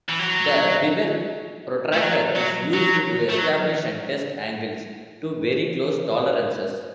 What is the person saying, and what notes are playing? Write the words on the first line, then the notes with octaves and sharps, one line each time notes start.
The bevel protractor is used to establish and test angles to very close tolerances.
E3
F#3
A3
F#3
F#3
F#3
A3
F#3